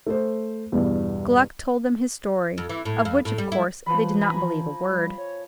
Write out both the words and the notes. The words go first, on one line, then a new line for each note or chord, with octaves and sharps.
Gluck told them his story, of which, of course, they did not believe a word.
A3 C5
E2 G2 B2
F2
E3
A2
F2
A2
G3
E4
E3 F3 B4 B5
G#5 A#5 B5
G3
C#5